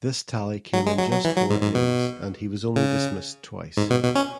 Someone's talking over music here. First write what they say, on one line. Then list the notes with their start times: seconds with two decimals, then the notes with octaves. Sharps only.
This tally came in just four innings and he was only dismissed twice.
0.74 F#3
0.86 G#3
0.99 F#3
1.12 F#3
1.25 E3
1.37 F#3
1.50 G#2
1.62 G#2
1.75 B2
2.76 C#3
3.77 G#2
3.90 B2
4.03 B2
4.15 C#4